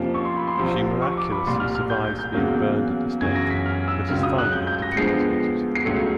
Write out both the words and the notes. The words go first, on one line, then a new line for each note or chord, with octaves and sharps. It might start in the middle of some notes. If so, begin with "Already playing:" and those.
She miraculously survives being burned at the stake, but is finally decapitated.
Already playing: F2 C3 F3 A#3 C#4
C#6
C6
B5
C6
C2 C3 F3
C#6
D6
B5
C2 A#2 G3 C6
F6
F6
G6
G6
G6
E2 C#3 F#3 A#3
F#2 C#3 E3 G#6
A#6
B6
F6
E6
C#2 C#3 F#3 F6
D#6
F#6
G6
G6
A#6
C#7
F2 D3 F3 G#3 B3 C7
C7
C#2 C#3 F#3 A3 C#7